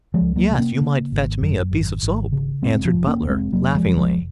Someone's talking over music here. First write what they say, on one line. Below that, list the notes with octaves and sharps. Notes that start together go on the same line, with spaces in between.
"Yes, you might fetch me a piece of soap," answered Butler laughingly.
F3 G#3
C#2
F#3 A#3
C3
A#3 C#4
C#3
G#1
F#2
G#1
G#1
C#3
F1 G#3 C4
F3
F1
A#3 C#4
F1
G#3 C4
F1 F#3 A#3
F3 G#3
F1
F3 G#3